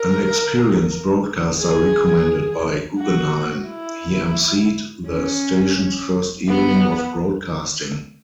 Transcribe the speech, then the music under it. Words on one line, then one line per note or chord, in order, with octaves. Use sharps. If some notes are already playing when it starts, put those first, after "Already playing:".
An experienced broadcaster, recommended by Guggenheim, he emceed the station's first evening of broadcasting.
Already playing: A#4
G#4
F#4
E4
C#4
B3